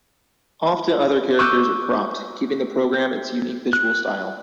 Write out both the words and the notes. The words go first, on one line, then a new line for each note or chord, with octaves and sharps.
Often other characters are cropped, giving the programme its unique visual style.
C#6 D6 E6 F#6 G6 D#7
F#6